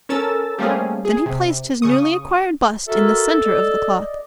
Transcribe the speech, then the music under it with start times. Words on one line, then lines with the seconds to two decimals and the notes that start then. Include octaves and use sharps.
Then he placed his newly acquired bust in the centre of the cloth.
0.09 C#4 A4 A#4 E6 A6
0.58 G3 A3 A#3 C4 C#4 G#4
1.05 G#4
1.26 C3
1.82 C#3 C#6 D#6
2.88 F#4 A4 A#4 E5
3.44 D5 D#5